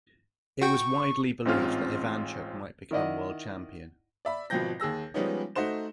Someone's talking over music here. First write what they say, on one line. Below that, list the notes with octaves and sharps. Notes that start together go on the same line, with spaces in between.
It was widely believed that Ivanchuk might become World Champion.
F#4 G5 C#6
A1 G#2 C4 C#4 F4 F6
D#3 E4 D5 D#5 F#5
D5 E5 B5
G#1 B2 F3 G5 G6 A#6
D#2 G#4 E6 A#6
F3 G3 G#3 B3 C#4 D#4
A3 D#4 F#4 C5 E7